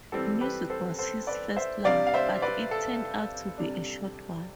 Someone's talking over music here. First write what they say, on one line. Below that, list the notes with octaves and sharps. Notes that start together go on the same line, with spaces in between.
Music was his first love, but it turned out to be a short one.
E3 G3 C4 A4
G4 B4
A4 C5
A4 C5
B4 D5
C5 E5
C3 G3 D4 D5 F5
F5
C5 E5
B4 D5
A4
C3 G3 D4